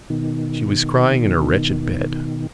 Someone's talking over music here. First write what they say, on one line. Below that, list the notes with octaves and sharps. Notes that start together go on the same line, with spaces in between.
She was crying in her wretched bed.
B2 D#3